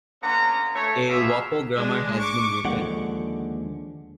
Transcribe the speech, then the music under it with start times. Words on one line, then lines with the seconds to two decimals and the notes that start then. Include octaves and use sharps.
A Wappo grammar has been written.
0.23 D3 A#3 B3 C#4 A#5
0.75 A3 C#5
1.09 B2 A#3 F4 G#4 E5
1.75 G#3 D4
2.18 C#6 D6
2.65 D#2 D3 F3 G#3 F#5